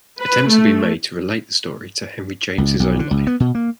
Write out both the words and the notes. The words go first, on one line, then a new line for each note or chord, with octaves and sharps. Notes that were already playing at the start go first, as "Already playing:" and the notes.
Attempts have been made to relate the story to Henry James' own life.
B4
A3
C#2
B1
D3
C#2
B3
B2
A#3